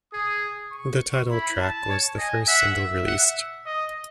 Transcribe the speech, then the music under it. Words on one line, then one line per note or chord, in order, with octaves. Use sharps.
The title track was the first single released.
G#4 D#6
C#6
E4 B5
A5
C#5
D#5 G#5
E5 F#5
E5
F#5
D#5